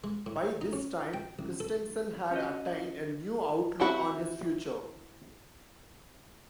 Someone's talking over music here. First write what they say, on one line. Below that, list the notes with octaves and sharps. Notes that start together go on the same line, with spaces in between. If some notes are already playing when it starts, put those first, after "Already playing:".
By this time, Christensen had attained a new outlook on his future.
G#3
A2
D#4
C#4
G5
A1
A4
C#4 F#4 D#5
C4 E4 F#4 B5